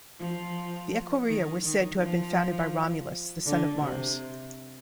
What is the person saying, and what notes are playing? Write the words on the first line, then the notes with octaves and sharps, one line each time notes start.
The Equirria were said to have been founded by Romulus, the son of Mars.
F3
D#3
D#3
F3
D3
C3